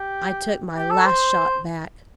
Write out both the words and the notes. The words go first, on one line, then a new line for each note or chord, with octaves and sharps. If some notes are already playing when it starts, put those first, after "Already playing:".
I took my "Last Shot" back.
Already playing: G4
G4
A4
C5